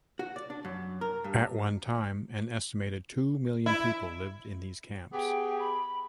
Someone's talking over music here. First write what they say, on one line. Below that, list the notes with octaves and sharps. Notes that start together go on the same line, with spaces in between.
At one time, an estimated two million people lived in these camps.
F#4
D5
D4
F#2
A#4
G2
E4
B3 G4 G#4 G5
B5